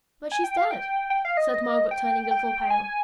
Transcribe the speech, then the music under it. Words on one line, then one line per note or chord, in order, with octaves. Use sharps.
'But she's dead!' said Margaret, turning a little pale.
G#5
G5
F5
G5
G5
F5
D#5
G5
G5
G#5